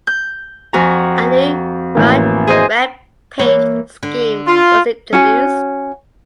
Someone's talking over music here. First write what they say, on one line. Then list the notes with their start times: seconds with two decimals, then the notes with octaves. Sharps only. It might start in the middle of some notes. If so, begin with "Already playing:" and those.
A new bright red paint scheme was introduced.
0.07 G6
0.73 F2 F#4 G#5 A#5
1.95 A1 A#3
2.47 G#4 C5 D#5
3.39 E3 A#3 C#5
4.03 D3
4.47 F4
5.13 C#4 F#4 G#5